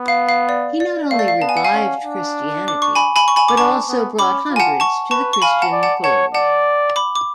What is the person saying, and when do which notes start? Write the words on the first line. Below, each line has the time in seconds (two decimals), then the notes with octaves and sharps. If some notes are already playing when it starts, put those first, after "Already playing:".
He not only revived Christianity but also brought hundreds to the Christian fold.
Already playing: B3
0.08 F5
0.29 F5
0.49 D5
0.80 D5
1.11 A3 F5
1.19 D5
1.28 F5
1.42 B3 A5
1.49 G#5
1.57 F#5
1.64 F5 G#5
1.73 C#4
2.03 D4
2.68 D6
2.82 C#6
2.95 G#5 B5
3.16 G#5 B5
3.28 C#6
3.36 G#5 B5
3.48 D6
3.57 D4 A5 C#6
3.89 B3
4.18 C#4 B5 D6
4.49 F4
4.56 G#5
4.60 F#5 A5
4.80 A5 C#6
5.11 B4 A5 C#6
5.33 C#6
5.42 F5 G#5 B5
5.62 F#5 A5
5.72 D5
5.83 F#5 A5
6.04 C#5 F#5 A5
6.34 D5 F#5 A5
6.96 B5 D6
7.16 D6